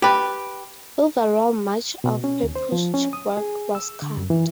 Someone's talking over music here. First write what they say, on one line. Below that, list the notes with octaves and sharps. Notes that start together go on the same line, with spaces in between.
Overall much of Pepusch’s work was cut.
G4 B4
B2
C#4
D#2
C5
F3
C#4
D#6
G#4
E6
D3
F#2
E3